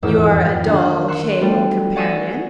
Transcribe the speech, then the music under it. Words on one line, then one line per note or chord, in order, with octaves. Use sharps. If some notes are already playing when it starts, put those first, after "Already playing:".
You are a dull table-companion.
D#1 E2 G#2 E6
F2
D#3 A#3 D4
C6 C#6 E6 F#6 C7
G3 A3 B3 F#4
D5 F#5 G#5 C#6 D#6 E6